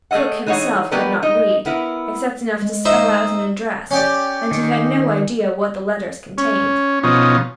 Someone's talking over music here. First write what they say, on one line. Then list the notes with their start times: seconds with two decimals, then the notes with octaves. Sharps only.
Krook himself could not read, except enough to spell out an address, and he had no idea what the letters contained.
0.11 A3 G#4 A4 D#5 F#5
0.46 E3 D#4 G#4 C#5 F#5
0.91 F#3 B3 G4 A#4 B4 D5
1.22 D#4 D#5
1.66 B3 E4 A#4
2.62 G#3
2.85 D#4 C5 E5
3.91 C#4 G4 D5
4.51 D#3
6.38 C#4
7.03 B2 F3 C#4 D#4